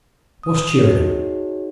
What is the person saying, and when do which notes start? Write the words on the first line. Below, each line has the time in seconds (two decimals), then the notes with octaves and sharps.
What's cheerin' him?
0.43 D#6
0.79 D#4 F#4 G#4 C#5